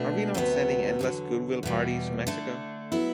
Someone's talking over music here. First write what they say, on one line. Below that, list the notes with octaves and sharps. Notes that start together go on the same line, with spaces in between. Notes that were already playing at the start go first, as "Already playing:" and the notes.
Are we not sending endless goodwill parties to Mexico?
Already playing: B2 A3 D4
D2 C3 F#3 B3
E2 D3 F#3
E2 B2 G3
D3 A3 D4
F#3 B3 E4